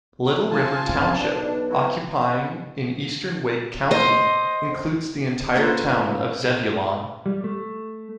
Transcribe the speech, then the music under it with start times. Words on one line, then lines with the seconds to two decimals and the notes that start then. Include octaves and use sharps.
Little River Township, occupying in eastern Wake County, includes the entire town of Zebulon.
0.51 F#1 E2 F4 F#4 G#5 A5
0.85 C#3 C4
1.19 B1 D4 D#4 B4
1.69 E4 F#4
3.91 C5 D#5
5.55 A#3 C#4 F4 B4 C5
7.26 G3
7.44 A3